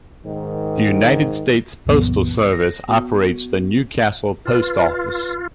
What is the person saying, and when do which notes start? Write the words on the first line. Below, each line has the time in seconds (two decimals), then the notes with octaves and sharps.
The United States Postal Service operates the Newcastle Post Office.
0.24 G#2 D#3
1.85 C2 F#2 A#2 E3 F#3 B3
2.52 A#6
2.88 B3 F#4
4.45 F4 B4